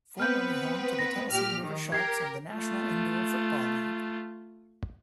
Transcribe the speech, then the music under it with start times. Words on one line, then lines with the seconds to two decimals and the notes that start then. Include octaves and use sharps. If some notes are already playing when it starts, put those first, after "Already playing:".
Formerly home to the Tennessee River Sharks of the National Indoor Football League.
0.20 B3 C4 B4 F6 G6
0.99 A#6
1.31 A#2 G4 F6
1.62 D#3
1.92 G4 A#4 G#6 C7
2.55 A3 F4